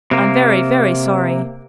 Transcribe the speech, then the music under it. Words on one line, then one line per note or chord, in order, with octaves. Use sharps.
"I'm very, very sorry."
C3 A#3